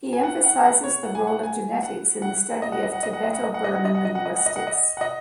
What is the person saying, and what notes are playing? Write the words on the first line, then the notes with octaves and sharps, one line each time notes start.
He emphasizes the role of genetics in the study of Tibeto-Burman linguistics.
G#5
F#5
F#5
F#5
C#5
F#5
G#5
F#5
G#5
F#5
F#5
D#5
F#5
D#5
F#5
D#5
F#5
D#5
F#5
D#5
F#5
D#5
F#5
D#5
F#5
D#5
F#5
D#5
F#5
D#5
F#5
D#5
F#5
D#5